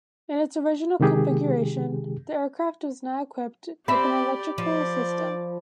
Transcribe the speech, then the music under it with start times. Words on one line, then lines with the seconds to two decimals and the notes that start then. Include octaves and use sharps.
In its original configuration, the aircraft was not equipped with an electrical system.
1.00 C3 D#3 G#3 G4 G#4
3.88 C4 G4 D5 E5 B5
4.58 F3 C5 D5